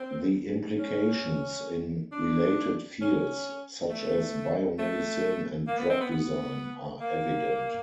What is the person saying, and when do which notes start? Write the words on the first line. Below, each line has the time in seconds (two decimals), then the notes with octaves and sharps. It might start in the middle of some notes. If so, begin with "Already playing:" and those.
The implications in related fields, such as biomedicine and drug design, are evident.
Already playing: C4
0.79 C#4
2.12 D4
3.02 C#4
3.90 A3
4.79 A3
5.67 A#3
5.78 B3
5.90 C4
6.01 B3
6.11 B3
7.01 A#3